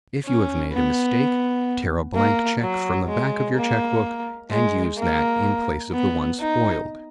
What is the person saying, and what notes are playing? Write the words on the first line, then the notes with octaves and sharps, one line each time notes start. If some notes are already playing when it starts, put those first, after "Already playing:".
If you have made a mistake, tear a blank check from the back of your check book and use that in place of the one spoiled.
C#4
B3
A#3
F#3
G#3
A#3
G#3
A#3
B3
D#4